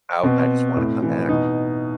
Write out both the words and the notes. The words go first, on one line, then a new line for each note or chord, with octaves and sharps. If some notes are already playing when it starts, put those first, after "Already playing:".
out and I just wanna come back.
B2 C4
A2
E3
B2 D#4